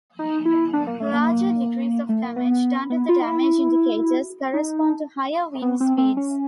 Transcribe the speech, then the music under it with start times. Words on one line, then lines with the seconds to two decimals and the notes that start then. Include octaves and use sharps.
Larger degrees of damage done to the damage indicators correspond to higher wind speeds.
0.19 D#4
0.45 E4
0.73 D4
0.87 A#3
1.00 A3
1.13 A#3
2.09 A3
2.23 A#3
2.36 B3
2.90 B3
3.09 F4
3.21 D#4
3.27 E4
4.53 D#4
5.62 B3
5.80 C4
5.98 C4
6.17 C#4